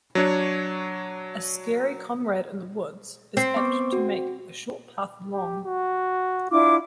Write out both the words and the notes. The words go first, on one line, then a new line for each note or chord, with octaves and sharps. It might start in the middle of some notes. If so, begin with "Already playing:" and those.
A scary comrade in the woods is apt to make a short path long.
F#3 D4 C#5
C4
B3 C#6 D6
F#4
G4
F#4
D4 E4 F4 D6